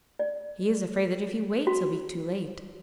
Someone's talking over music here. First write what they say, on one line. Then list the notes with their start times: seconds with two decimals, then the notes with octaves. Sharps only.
"He is afraid that if he waits he'll be too late!"
0.19 D5
1.67 F#4